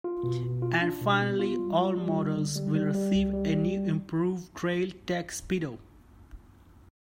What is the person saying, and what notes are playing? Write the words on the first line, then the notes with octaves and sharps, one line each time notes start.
And finally all models will receive a new improved Trail Tech speedo.
F4
B2
B2
F4
D4
B2
B3
F4
G3
F4
G3
D3
D3
G3
G3
G3
C2
G3
G3